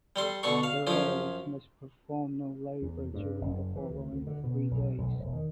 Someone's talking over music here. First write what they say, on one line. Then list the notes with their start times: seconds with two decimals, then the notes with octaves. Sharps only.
The relatives must perform no labor during the following three days.
0.16 G3 A4 C6
0.43 B2 D3 A4 C#6
0.63 F5
0.87 F#2 F3 C#4 F4
2.82 E2
3.14 G2
3.41 F#1
3.76 E3
3.90 D2
4.12 D2
4.27 D3
4.44 B2
4.71 B1
4.98 B1
5.19 E1
5.33 D#3